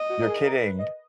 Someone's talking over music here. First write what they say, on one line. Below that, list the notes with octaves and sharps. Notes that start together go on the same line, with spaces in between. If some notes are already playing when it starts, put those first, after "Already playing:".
You're kidding.
Already playing: D#5
F#4
A#4
G#4
A#4
B4
D#5